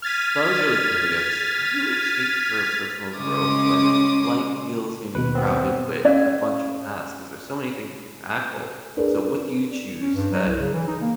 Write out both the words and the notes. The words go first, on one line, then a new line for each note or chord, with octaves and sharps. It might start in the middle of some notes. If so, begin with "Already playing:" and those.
So, I was really curious, how do you make space for personal growth when life feels maybe crowded with a bunch of tasks ’cause there's so many things you can tackle. So, what do you choose that
F6 G#6 A6 B6 D#7
C#3 G#3 C#4 C6 D6 D#6
D#2 B2 B4
B3 C4
C#4 D5 F5 E6
D4 G#4 A#4 B4 D5
C#4
G2
F#3
C2
C#3
E3
D#4
A#3